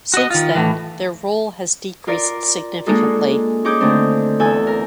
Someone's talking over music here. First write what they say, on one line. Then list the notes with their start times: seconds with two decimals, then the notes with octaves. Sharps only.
Since then their role has decreased significantly.
0.14 F#4 D#5
0.30 D#3 F4
0.55 A2 E3
2.07 F4 A#4 D5
2.87 G#3 A#3 D4 D#4 F4 A4
3.64 C#4 D#4 G#4 D6 G6
3.80 D3 D#3 A3 C4 D4
4.39 E2 A4 G#5 E6
4.67 A#4